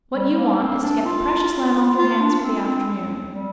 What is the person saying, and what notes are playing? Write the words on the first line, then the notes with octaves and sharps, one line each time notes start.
What you want is to get the precious Lamb off your hands for the afternoon.
G3
A#3
C4
D4
F4
F4
D4
C4
C4
G3